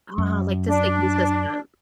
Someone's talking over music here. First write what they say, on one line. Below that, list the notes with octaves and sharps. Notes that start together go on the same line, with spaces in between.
Ah, like, to stay consistent.
F#2
D4